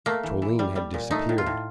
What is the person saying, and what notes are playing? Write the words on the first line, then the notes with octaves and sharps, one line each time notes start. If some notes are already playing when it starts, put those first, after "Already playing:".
Toline had disappeared.
A3 A#3
E3
E3
G3
G3
A#2
A3 D#4
A2
F4
A2